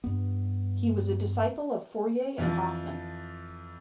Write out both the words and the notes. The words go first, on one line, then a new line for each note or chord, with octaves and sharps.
He was a disciple of Fourier and Hoffman.
G2 B3
F2 E3 F3